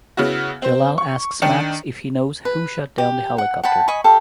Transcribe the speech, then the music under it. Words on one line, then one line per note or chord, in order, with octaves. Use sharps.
Jalal asks Max if he knows who shot down the helicopter.
C#3 B3 E4 F#4
C4 C5
C#6
D#3 D4 C#7
B4
G4
F#5
F#5 G5 A5 B5
D#5 G#5 B5 C#6
G4 A4 F5